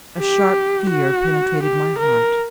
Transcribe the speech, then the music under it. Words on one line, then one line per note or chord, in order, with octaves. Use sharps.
A sharp fear penetrated my heart.
G4
F#4
G4
A#4